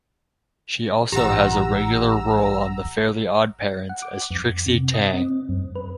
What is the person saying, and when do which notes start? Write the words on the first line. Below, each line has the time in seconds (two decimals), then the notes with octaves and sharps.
She also has a regular role on "The Fairly OddParents" as Trixie Tang.
1.12 A1 G4 F#5 A#5 E6
3.89 F#5
4.02 D6
4.31 F2
4.66 C3
4.94 D#5
5.13 C4
5.49 F#2
5.75 B4